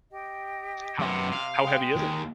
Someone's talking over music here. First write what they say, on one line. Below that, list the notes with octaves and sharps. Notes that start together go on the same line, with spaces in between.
How how heavy is it?
G4 D#5 G5
F#2 C3 B3
F5
G#3 G5
D#2